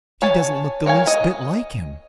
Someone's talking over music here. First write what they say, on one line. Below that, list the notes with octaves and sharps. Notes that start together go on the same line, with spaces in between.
"She doesn't look the least bit like him."
C#5 G#5 A5
A#4 C#5 F5 G#5
D#5